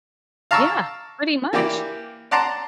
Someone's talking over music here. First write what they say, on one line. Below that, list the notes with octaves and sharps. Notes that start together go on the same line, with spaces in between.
Yeah, pretty much.
F5 A5 A#5 C#6 D6 E6
E3 A#3 G4 D5
D5 F#5 A5 A#5 C6